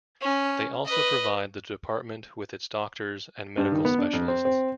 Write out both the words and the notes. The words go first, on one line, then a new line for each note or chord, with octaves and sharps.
They also provide the Department with its doctors and medical specialists.
C#4
B4 D#5
G2
D#3
B3
D4
F2
C4
C4